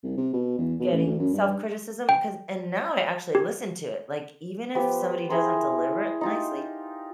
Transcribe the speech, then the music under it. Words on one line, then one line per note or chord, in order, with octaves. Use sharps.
getting self-criticism, 'cause and now I actually listen to it, like, even if somebody doesn't deliver it nicely
C2
C3
B2
E2
B2
A1
D2
F#2
G2
G5
G4
F3 B3 G4
E4 G#4 A#4 C6
D#4 F4 G4